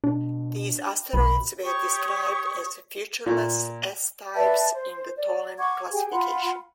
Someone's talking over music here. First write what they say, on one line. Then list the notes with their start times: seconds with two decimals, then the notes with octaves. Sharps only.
These asteroids were described as "featureless" S-types in the Tholen classification.
0.04 B2 D4
1.13 B1 B2 B5
1.63 G4 C#5 C#6 D#6
3.26 A#2
4.35 B4 D5 E5 A5
4.73 C5
5.16 D5
5.58 F#5 C#6 D6 G#6
5.92 G4 G#4 G5 G#5
6.11 F4 F#5 B5 C6